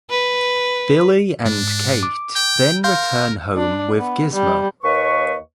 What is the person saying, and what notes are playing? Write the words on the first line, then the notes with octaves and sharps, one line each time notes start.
Billy and Kate then return home with Gizmo.
B4
G#2 D4
D6
G5
A#4 F5 C6 G6
D4
B3
G3
D#2 A#3 B4 C#5 D#5 C#6